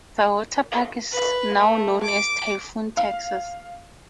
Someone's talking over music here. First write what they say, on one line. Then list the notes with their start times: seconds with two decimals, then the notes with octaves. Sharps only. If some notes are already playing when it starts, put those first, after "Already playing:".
The water park is now known as Typhoon Texas.
1.11 B4
1.57 A3
2.03 D6
2.97 F5